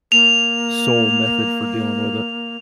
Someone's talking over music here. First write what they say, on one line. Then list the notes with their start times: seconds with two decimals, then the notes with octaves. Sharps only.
sole method for dealing with it.
0.12 A#3 F7